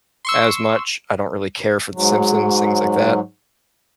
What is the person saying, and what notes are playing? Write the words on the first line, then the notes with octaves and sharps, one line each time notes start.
as much. I don't really care for The Simpsons, things like that.
C6 C#6 E6
G#2 F#3